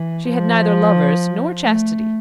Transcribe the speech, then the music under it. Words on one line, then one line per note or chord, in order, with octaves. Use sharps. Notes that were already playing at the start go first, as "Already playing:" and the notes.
She had neither lovers nor chastity.
Already playing: E3
F3
A3